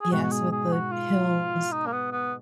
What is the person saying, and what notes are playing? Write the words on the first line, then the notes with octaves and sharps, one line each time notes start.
Yes, with the hills,
G#4
G#2 B2 F#4
F#4
G#4
G#4
F#4
F4
D#4
A#3
B3
B3